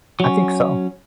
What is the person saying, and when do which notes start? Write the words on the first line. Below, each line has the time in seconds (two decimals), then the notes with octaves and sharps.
I think so.
0.20 F#3 C#4